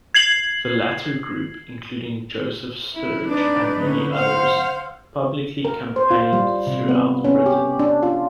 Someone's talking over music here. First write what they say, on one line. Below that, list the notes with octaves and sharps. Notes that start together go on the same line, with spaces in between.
The latter group, including Joseph Sturge and many others, publicly campaigned throughout Britain.
G#6 C7 F#7
E4
D4 D#4 B4 D5
D3 C#4
C5 F5 F#5
A#4
C5
F4
G3
C3
B3
C#4
G4
D4
F4